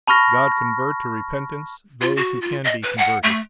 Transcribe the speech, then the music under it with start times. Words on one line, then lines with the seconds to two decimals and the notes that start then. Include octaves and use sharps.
God convert to repentance those who can be converted!
0.07 A5 B5 C#6 F6 A#6
2.01 F4
2.17 F#4
2.42 F4
2.64 D#5
2.83 B4
2.98 F#5
3.23 A3